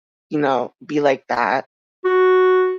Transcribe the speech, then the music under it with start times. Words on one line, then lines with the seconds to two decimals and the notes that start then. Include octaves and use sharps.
you know, be like that,
2.05 F#4